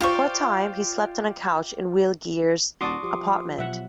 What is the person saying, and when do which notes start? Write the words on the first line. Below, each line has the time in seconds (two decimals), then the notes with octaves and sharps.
For a time, he slept on a couch in Will Geer's apartment.
0.01 F4 G4 C5 D5 C#6
2.81 D#1 F#4 D5 A5 C6 D6 D#6
3.03 F3 G4
3.58 B2 F#3 E5 F#5